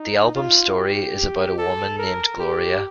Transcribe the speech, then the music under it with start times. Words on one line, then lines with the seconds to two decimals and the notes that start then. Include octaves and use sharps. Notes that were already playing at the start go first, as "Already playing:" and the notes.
The album's story is about a woman named Gloria.
Already playing: D#4
0.35 F4
0.75 G4
1.58 A4
1.98 A#4
2.39 G4